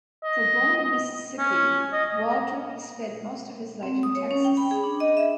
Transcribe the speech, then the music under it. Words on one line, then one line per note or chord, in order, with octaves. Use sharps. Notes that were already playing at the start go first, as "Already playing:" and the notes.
Though born in Mississippi, Waldrop has spent most of his life in Texas.
D#5
C#4
D#5
D#5
C4
D#6
C#5
C#4
G5
B5
G#4
D4
D#5
E5